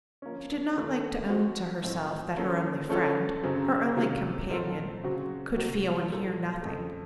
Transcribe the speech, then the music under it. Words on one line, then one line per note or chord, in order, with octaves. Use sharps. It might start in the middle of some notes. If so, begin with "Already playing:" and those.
She did not like to own to herself that her only friend, her only companion, could feel and hear nothing.
F3 A#3 C#4
D#3 A3 C#4 F4
F3 C4 F#4
A2 F3 C4 F4
F3 A#3 C#4 A4
F3 A3 C#4 F4 A4
F#2 C#3 F#3 C4
C3 D#3 F#3 A#3 F4
A#2 F3 C4 F4 A4
C#3 F#3 C4 F#4
C3 F#3 C4 F#4
A#2 F#3 A#3 D#4 A4
F2 C#3 A3